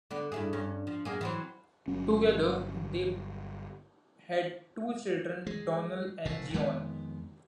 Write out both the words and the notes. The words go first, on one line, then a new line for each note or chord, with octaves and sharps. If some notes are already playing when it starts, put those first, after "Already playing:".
Together they had two children, Donald and Joan.
D3 B3
G2 E4 G#4
G2 C#4
F3
F#2 A#3 G#4
E3 F#3 C4
G1 F#3 C#4
G#3
F1 A2
F2 D#3 G#3 B3